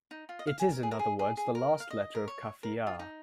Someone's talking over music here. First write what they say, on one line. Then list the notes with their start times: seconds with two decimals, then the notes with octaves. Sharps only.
It is in other words the last letter of Qaafiyaa.
0.11 D#4
0.29 F4
0.39 D#5
0.47 F5
0.59 G#5
0.72 A#4
0.83 G#4
0.91 A#4
0.99 G#4
1.19 G#4
1.37 G#4
1.55 A#4
1.80 F5
1.90 D#5
2.15 A#4
2.28 C#5
2.63 A#4
2.87 F4
2.99 D#4